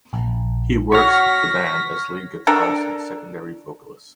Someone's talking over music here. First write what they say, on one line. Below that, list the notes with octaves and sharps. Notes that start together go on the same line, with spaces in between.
He works with the band as lead guitarist and secondary vocalist.
A#1
F#4 C#5 C#6 F6 A#6 B6
D4 A4 A#4